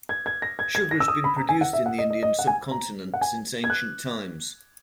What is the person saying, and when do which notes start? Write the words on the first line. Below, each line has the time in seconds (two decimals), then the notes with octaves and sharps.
Sugar has been produced in the Indian subcontinent since ancient times.
0.09 G#6
0.26 G#6
0.42 A#6
0.59 G#6
0.75 G#6
0.91 A#6
1.00 E6
1.08 D#6
1.24 B5
1.37 A#5
1.49 G#5
1.61 F#5
1.73 E5
1.86 F#5
1.98 D#5
2.10 D#5
2.23 D#5
2.39 F#5
2.47 G#5
2.71 A#5
3.14 F#5
3.21 G#5
3.64 G#6
3.70 F#6